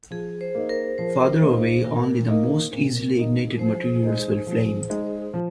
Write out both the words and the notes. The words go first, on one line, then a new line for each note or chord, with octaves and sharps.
Farther away, only the most easily ignited materials will flame.
F3 G#4
C5
A#3 D#4
A#4
F3 C5
A#3 D#4
A#2 A#4
A#3 D#4
A#2
A#3 D#4
F3 C5
G#3 D#4
F3
G#3 D#4
F3